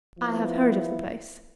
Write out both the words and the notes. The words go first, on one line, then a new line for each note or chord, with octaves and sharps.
"I have heard of the place."
F3 B3 E4